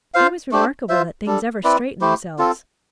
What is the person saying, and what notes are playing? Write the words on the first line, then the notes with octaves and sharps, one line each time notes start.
It was remarkable that things ever straightened themselves.
F4 C5 F5
A3 D4 G4 C5
F4 C5 E5
G3 D4 A4
C4 E4 B4 D5
A3 E4 G4 C5
C4 F4 A4